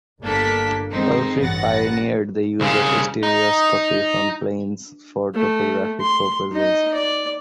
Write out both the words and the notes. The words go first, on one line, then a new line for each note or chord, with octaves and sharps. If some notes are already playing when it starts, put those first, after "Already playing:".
Pulfrich pioneered the use of stereoscopy from planes for topographic purposes.
G1 A#3 D4 A4 A5 B6
D#3 G#3 C4 D#4
A1 G2 E3 F#5 A6 A#6
C2 C#3
D#4
A3
C6
D#4 D#5
D5